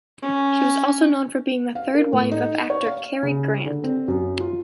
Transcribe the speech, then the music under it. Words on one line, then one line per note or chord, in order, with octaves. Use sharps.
She was also known for being the third wife of actor Cary Grant.
C#4
F5
A#4
A2
D#4
C#5
F5
C#3
D3
C4
F#2
F4